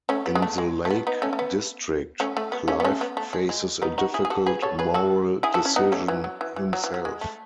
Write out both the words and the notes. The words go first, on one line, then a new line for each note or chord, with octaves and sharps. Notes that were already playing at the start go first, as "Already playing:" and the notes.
In the Lake District, Clive faces a difficult moral decision himself.
A3 C#4
B3
G#3
A3
G#3
A3
B3
B3 D#4
A3 C#4
A3
B3
A3 C#4
A3
B3
A3 C#4
B3
A3 C#4
B3
A3
G#3
G#3
B3 D#4
D#4 F#4
E4 G#4
G#4
F#4 A4
G#4 B4
A4 C#5
G#4 B4
F#4 A4
E4 G#4
F#4 A4
C#4 E4
B3 D#4
A3 C#4
E3
F#3
E3
E3
F#3
E3
F#3
G#3
A3